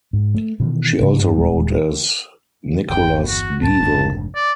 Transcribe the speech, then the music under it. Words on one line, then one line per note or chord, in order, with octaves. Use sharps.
She also wrote as Nicholas Bevel.
G#2
A3
B2 D#3 E3
G#2 C#3 G#3
G2
D#1 G3 G#3
G1 E2 G5
F#4
C#2 A2 A5
F1 G#2 D4
D5